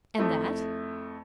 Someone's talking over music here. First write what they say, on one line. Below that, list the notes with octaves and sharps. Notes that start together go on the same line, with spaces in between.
"And that?"
F2 A3 E4